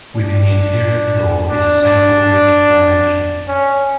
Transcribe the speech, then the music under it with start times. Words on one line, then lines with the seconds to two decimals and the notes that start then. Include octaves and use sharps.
Within the interior floor is a central ridge formation.
0.16 D4
1.48 D4
1.82 D4
3.48 C#4